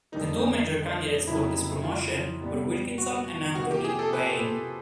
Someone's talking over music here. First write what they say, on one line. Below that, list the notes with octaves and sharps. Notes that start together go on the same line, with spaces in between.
The two major candidates for this promotion were Wilkinson and Anthony Wayne.
F2 D3 G3 A#3 D#4
F2 C#3 F#3 A#3 D#4 E4
F4
B2 G3 B3
F#4
C3 F3 A#3 F#4
G4
G#4
A4
B4
C5
B4